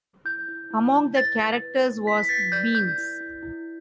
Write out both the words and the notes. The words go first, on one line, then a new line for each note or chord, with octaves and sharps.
Among the characters was Beans.
E4 G6
E4
E4
D5
B4 A6
B4
B4
E4
E4 B6
B6
B4 A6
D5 G6
D5 G6
E4
E4
E4